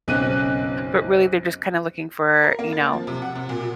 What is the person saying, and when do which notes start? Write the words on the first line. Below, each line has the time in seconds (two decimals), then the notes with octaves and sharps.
but, really, they're just kinda looking for, you know,
0.08 F#1 B1 C4 C#4 F#6 D#7
2.43 A#4
2.59 A#3
2.72 A6
2.93 F3
3.07 C3
3.22 F#5
3.35 C3
3.49 A#2